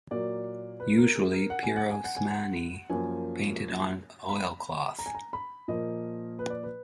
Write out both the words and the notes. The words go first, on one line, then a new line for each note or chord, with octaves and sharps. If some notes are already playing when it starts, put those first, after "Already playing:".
Usually, Pirosmani painted on oilcloth.
A#2 F#3 A#3 D5
B4
A#4
G#4
A#4
F#5
G#5
F#5
G#5
F#5
G#5
F#5
F#2 F3 A#3 G#5
B5
A#5
G#5
A#5
B5
A#2 F3 A#3 D#5
B4
D5
B4